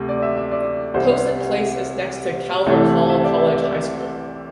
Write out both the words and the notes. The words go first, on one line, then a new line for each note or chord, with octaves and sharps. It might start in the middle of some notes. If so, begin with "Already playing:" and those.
Towson Place is next to Calvert Hall College High School.
Already playing: D2 C3
D5
E5
E5
D5
C2 C3 G3 C5
C2 C3 E3 A3
E5
D5
E5
D5